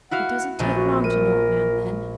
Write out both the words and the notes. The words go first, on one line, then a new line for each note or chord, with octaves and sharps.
It doesn't take long to know a man then.
E4 F#4 F5 F#5
A#1 A3 D#7
F#4
A#4 D#7